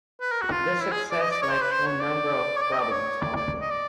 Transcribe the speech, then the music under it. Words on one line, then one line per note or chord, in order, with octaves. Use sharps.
This success led to a number of problems, however.
B4
A#4
F#4
F4
E4
G#4
D5
D#5
D5
C#5
C5
B4
C5
C#5
D5
C#5
D5
D#5
D5
C#5
D5
D5
D#5
D5